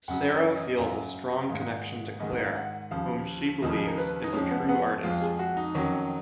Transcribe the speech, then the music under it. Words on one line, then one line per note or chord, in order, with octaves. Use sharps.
Sarah feels a strong connection to Claire, whom she believes is a true artist.
F#2 C#3 F#3 F#5
C#5
D#5
F#2 C#3 F#3 F5
G#2 D#3 G#3 F5
G#2 D#3 G#3 D#5
F5
F#5
D#2 C#3 F3 F5
D#2 C#3 F3 D#5
G#4
A#4
B4
D#4
F2 F3 G#3 C#4
B3
B3
F2 F3 G#3 F4
G#4
F#4
D#4
F2 D#3 F#3 C#4